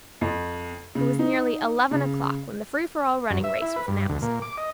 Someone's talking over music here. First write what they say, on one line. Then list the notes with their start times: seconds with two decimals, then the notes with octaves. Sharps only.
It was nearly eleven o'clock when the free-for-all running race was announced.
0.21 F2
0.95 C#3
1.19 D#4
1.91 C#3
3.30 F#2
3.44 E5
3.62 E4
3.76 B4
3.88 G2
4.09 D2
4.22 A#2
4.42 D6
4.58 D#5